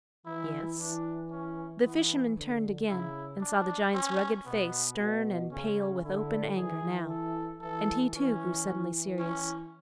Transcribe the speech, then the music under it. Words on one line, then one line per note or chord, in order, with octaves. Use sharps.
"Yes." The fisherman turned again and saw the giant's rugged face stern and pale with open anger now, and he, too, grew suddenly serious.
E3 E4
E3 D4
C#4
E3 B3
D3
C#3 E4
D4
C#4
B2 B3
B2
C#3 C#4
D3 E4
E3 G#4
A4
E3 A4
E3 C#4
E3
C#4